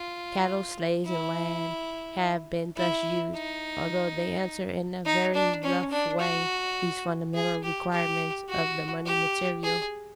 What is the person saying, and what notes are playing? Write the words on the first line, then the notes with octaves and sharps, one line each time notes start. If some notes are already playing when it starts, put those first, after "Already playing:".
Cattle, slaves, and land have been thus used, although they answer in a very rough way these fundamental requirements of the money material.
Already playing: F4
E4
E4
D#4
D#4
D4
C#4
D4
F#4
G#4
G4
G4
F#4
G4
G#4